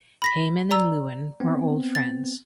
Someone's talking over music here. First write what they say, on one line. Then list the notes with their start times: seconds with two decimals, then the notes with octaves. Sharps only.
Heymann and Lewin were old friends.
0.22 B5 A#6 B6
0.71 D5 A#5 E6
1.40 B3 C4
1.95 A6